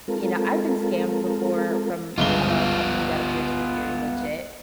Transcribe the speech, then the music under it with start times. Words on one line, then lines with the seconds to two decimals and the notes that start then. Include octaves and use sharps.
you know I've been scammed before from a company that appeared to be very legit
0.08 G#3 C4 F4 A4 A#4
2.18 G1 C#2 B3 F4 G7